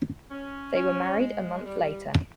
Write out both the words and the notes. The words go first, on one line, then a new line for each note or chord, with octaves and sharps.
They were married a month later.
C#4
C#4
G#3
G3